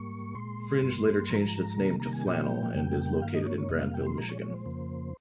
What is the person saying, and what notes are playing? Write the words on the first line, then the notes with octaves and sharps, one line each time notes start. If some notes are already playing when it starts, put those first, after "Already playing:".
Fringe later changed its name to Flannel and is located in Grandville, Michigan.
Already playing: G#2 G3 A#3 C#6
A#2 G#3 C6
G2 G3 A#3
G#2 F3 G#3 A#5
C3 D#3 G3 A#3
A#5
G#5
A#2 F3 A#3 G5
F2 C#3 G3 A#3
G2 D#3 A#3 F5
D#5
C#5
C#5
F2 C3 G3 A#3 D#5
F5
G5
C6
A#2 F3 G#3 A#5
C#5
C#5
C5
F2 C#3 F3 A#3